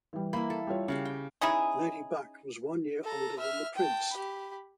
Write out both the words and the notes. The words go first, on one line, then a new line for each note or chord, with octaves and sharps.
Lady Bak was one year older than the Prince.
E3 G3
A#3 E4 B5
A4
G3 F4 C#5
C#3 G4 F5 F#5
G5
C#4 D#4 E4 G#4
A4 A#5
E5 F6
G5 A5
G4 B5